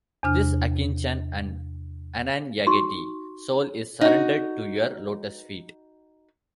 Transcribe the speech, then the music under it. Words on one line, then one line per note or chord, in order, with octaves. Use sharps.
This akinchan and ananyagati soul is surrendered to your Lotus Feet.
E2 C3 D4 F6
D#4 F#4 C6 C#6
D#4 F#4